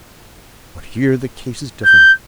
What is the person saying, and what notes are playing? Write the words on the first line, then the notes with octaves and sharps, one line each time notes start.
But here the case is different.
G6